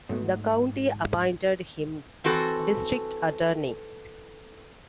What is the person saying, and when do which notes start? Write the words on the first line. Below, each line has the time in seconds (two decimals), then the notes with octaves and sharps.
The county appointed him district attorney.
0.09 G#2 F#3 A3 B3
2.24 E3 C4 F#4 A4